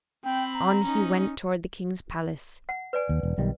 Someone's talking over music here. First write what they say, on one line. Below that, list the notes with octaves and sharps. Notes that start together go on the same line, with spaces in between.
On he went toward the king's palace.
C4 G5 B5
A#5
C#4 D#4
F#5
B4 D5 G#5
D#2
E1
B1 D#3 G3